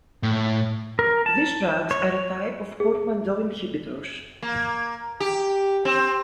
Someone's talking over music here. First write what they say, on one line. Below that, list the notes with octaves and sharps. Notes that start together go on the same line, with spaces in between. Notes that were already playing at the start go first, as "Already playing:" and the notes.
These drugs are a type of "portmanteau inhibitors".
A2
A#4
A5
C#5
G#4
A#3
G4
C4